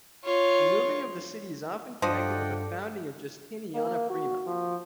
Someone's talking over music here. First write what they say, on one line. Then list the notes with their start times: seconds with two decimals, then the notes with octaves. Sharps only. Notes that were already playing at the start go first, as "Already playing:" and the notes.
The moving of the city is often connected with the founding of Justiniana Prima.
0.24 F4 C#5
2.02 G2 F3 D4 A4 D5 D#5 F#5 G5
3.75 A#3
4.10 F#4
4.46 F3